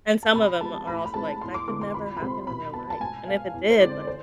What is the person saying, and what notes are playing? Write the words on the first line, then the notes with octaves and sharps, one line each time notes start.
And some of them are also like, "That could never happen in real life." And if it did, like,
A5
C3 B5
F3 G#3 B3 A5
A2 B5
B5
G#3 C4 A5
E2 C6
D6
D3 G#3 B3 D6
C6
F2 B5
B5
C3 G#3 C4 C6
B2 B5
B3 A5
A5
G#2 G#5
G#3 B3 F5
E2
C5
D3 G#3 C4 D5
C5